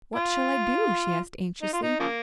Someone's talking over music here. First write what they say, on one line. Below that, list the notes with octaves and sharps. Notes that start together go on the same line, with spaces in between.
"What shall I do?" she asked anxiously.
F4
D#4
F4
D#4
C#3 F3 A#3